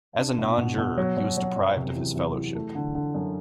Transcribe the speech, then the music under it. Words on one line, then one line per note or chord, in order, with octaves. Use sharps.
As a non-juror, he was deprived of his fellowship.
D4
B2
B2
B2
F#3
F#3
F#3
F#2
C3
E2
E2
E3
A3
D3
D3
F#2